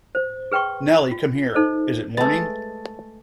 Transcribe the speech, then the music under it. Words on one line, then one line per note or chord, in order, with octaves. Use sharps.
Nelly, come here — is it morning?
C5
G#4 B4 G5 C6 C#6
F4
D#4 A4 C5 D#5
G#3 A3 B4 A6